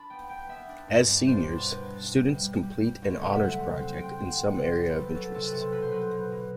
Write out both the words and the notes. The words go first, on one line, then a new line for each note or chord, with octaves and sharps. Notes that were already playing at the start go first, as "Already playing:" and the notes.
As seniors, students complete an Honors Project in some area of interest.
Already playing: D4 A5 B5
B3 G5
B3 G5
B3 E5
D4
G2
G3 E5
D5
C2 C5
D5
B2
D4 B4
B2
C2
G3
G3
G3
G3
D2
C3 F#5
E5
F#3 F#5
C3
C4
C3 G5
C4 G5
F#5
C3
C3 D5
B3 C5
B4
F#3 A4
F#3 A4
C3 A4
B4
C3 A4
B2 B4
C5
F#3 B4
B2
B2